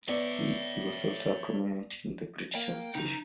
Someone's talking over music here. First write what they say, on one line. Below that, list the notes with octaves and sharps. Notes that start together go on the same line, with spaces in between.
He was also prominent in the British Association.
B3 C#5 D5 E5
A#3 G5
F#2 A#2 C#3 D#4